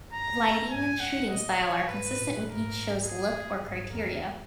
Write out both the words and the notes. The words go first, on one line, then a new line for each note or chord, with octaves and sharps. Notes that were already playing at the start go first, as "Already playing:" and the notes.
Lighting and shooting style are consistent with each's show's "look" or criteria.
F#2 A#5
F#2
G#2 G#5
F#5
A#2 D#5
C#5
G#2 B4
A#2
G#2 A#4
G#4
G#2 G#4
E2 A#4